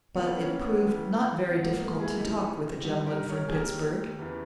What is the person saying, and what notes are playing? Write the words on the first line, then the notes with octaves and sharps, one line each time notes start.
But it proved not very difficult to talk with the gentleman from Pittsburg.
D#2 C#3 E3 B3
A#3 C#4
B3
D#2 C#3 E3
G#2 E3 B3
A#3
A#3
E4 G#4
D#2 C#3 E3 D#4 G4
G2 D#3 D#4 G4
G4 A#4
A#4 C#5
G#4
D#2 D#3 G4 A#4
E2 C#3 E3